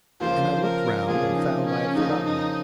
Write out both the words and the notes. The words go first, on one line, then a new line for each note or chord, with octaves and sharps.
And I looked round, and found I had forgotten them.
C#3 F3 A#3 F4 C5
A#4
C#3 F3 A#3 F4 G#4
D#4
C#4
C#3 F3 A#3 D#4 F4
D#4